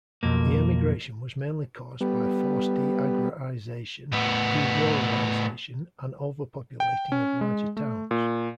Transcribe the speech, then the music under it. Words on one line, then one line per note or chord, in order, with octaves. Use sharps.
The emigration was mainly caused by force deagrarization, deruralization, and overpopulating of larger towns.
B1 F2 A#3
G3 B3
A2 B3
G5
C#4
G#3
A3
A#2